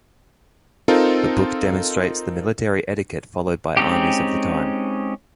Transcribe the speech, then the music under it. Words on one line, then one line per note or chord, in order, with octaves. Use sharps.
The book demonstrates the military etiquette followed by armies of the time.
C4 D#4 F4 A4 A#4
G#3 C4 C#4 D#4 G4